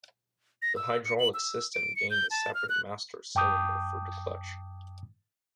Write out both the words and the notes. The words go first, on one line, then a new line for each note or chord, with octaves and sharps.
The hydraulic system gained a separate master cylinder for the clutch.
A#6
E6
C#7
F#7
E6
D7
C#7
G6
A5
F6
F#6
F#2 G5 A5 D6 D#6 G6